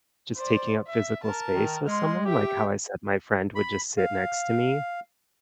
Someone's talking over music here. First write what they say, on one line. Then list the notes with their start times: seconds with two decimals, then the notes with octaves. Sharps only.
just taking up physical space with someone, like how I said my friend would just sit next to me
0.37 C5 D5
0.87 E5
1.23 A#4 A5
1.53 D#3
1.87 G#3 C6 F6
2.25 G4 E5 G5
3.55 B5
3.98 F5